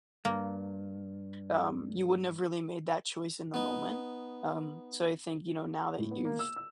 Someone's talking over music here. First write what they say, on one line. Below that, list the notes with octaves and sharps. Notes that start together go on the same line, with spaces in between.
um, you wouldn't have really made that choice in the moment. Um, so I think you know now that you've,
G2 A#3
B3 D#4
A2
B3
A#3
E6
E6